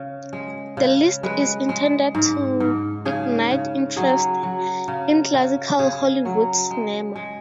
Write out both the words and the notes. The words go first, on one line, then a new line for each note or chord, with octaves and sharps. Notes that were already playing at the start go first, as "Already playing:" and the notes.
The list is intended to ignite interest in classical Hollywood cinema.
Already playing: C#3
G#3
C#3
G#3 B4
G#3
G#2
G#2
C#3 G#4
C#3
F#3 G#4
F#3
C#3
C#3
C#3 G#4
F#3
G#3
G#3